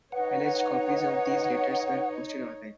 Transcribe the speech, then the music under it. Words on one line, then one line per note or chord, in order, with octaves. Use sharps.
Alleged copies of these letters were posted online.
D#4 B4 C#5 F#5